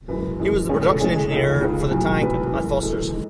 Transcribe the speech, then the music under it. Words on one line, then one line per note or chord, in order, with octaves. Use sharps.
He was the production engineer for the tank at Fosters.
F#2 E3 G#3 B4
F#2 E3 G#3
A1 A2 G#3 C#4 G#4
A4
A1 A2 G#3 C#4 G#4
G#4
C#2 C#3 G#3 D#4 A4
C#2 C#3 G#3 D#4
B1 A2 F#3
B1 A2 F#3 B4
F#2 E3 G#3
F#2 E3 G#3 A4
G#3 D#4